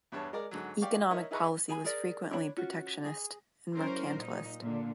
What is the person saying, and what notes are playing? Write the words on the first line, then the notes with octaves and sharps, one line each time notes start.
Economic policy was frequently protectionist and mercantilist.
E2 G2 C#5 A5
G#3 A#4 D5
G#2 D3 F#3
G4 D5 F5 C#6
D#4 E4 A#4 C#5 D#5 C#6
D#4 E4 G#4 B4 A#5 C#6
G#4 G#5 B5
G#4 A#4 D5
D4 C#5 E5 B5
C#4 F4 F#4
G#4 G#5
E3 F#3 C#4 A#4 C5
A#2 D#4
A#2 D3